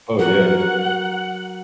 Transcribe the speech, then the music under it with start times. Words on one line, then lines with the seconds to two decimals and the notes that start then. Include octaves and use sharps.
Oh, yeah.
0.19 F#3 F#4 A#4 F#5